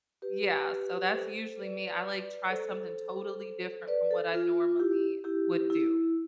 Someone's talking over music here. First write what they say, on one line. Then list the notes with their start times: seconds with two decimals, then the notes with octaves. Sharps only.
yeah, so that's usually me, I, like, try something totally different from what I normally would do.
0.22 G4 B4
1.14 A4 C5
1.59 B4 D5
2.50 A4 C5
3.88 B4 D5
4.11 A4 C5
4.34 F4
4.80 E4 G4
5.24 E4 G4
5.70 E4